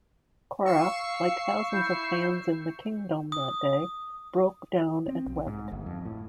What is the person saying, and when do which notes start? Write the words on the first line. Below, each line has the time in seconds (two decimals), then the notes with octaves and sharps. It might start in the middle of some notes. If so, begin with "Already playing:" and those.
Cora, like thousands of fans in the Kingdome that day, broke down and wept.
0.66 F5 C#6 E6 C7
1.70 E4 G6
3.32 D#6
5.08 C4
5.26 B1
5.47 G#2
5.71 G1
5.86 F2
6.05 A2